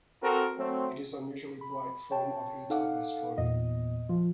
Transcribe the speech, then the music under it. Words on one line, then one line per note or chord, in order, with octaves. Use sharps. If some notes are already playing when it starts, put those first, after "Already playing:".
It is an unusually bright form of E-type asteroid.
C4 F#4 A4 A#4
F#3 A3 C4
B5
C#5 G5 A5
D#4 A4 F5 F#5 D6
E2 A#2 D#5
F3 F4